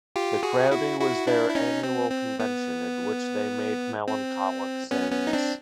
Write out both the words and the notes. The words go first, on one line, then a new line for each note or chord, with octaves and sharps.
The Crowdie was their annual convention, at which they made melancholic sounds.
F4 G4
F#4 G#4
E4 F#4
E4 F#4
D4 E4
E4
C#4 D#4
C4
C4
B3
C4
B3 C#4
B3 C#4
D#4
C4 D4